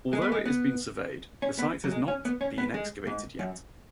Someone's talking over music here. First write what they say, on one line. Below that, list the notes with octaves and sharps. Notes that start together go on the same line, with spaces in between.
Although it has been surveyed, the site has not been excavated yet.
G#3
B3
G#3
B3
C#4
B3
F#3
G#3
C#4
B3
C#4
B3
G#3
G#2
F#2